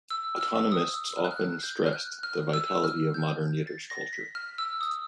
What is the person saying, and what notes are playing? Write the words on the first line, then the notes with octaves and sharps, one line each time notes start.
Autonomists often stressed the vitality of modern Yiddish culture.
E6
F6
E6
D#6
E6
F6
F#6
F6
F#6
G6
F6
F#6
F6
E6
F6
G6
A6
A#6
B6
F6
E6
D#6